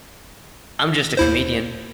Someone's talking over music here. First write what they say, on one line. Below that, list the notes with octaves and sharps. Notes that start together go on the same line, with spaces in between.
I'm just a comedian.
D#2 E4 C5